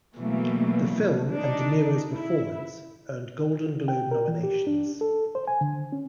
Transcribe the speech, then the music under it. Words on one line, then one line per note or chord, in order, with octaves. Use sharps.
The film, and De Niro's performance, earned Golden Globe nominations.
B2 E3 F#3 G3 A3 A#3
D4 D#4
E4
G5
A#4
E3
G4
D4
A4
C5
G#5
D3
C#4